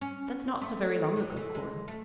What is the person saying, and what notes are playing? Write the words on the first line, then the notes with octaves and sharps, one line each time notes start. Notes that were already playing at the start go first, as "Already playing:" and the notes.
"That's not so very long ago, Cora."
C#4
A3
D3
E3
G#3
A3